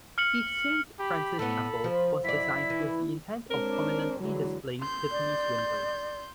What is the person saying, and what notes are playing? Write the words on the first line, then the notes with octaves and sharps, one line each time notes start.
The Saint Francis Chapel was designed with the intent of prominently displaying Tiffany's windows.
F6 C#7 F#7
G4 B5
A2 B3 A4
F3
F#2 E4 D5 B6
E3
G#3 C4 D4 A#4 C#5
D3 E3 F#3 G#3
C6 G6
D5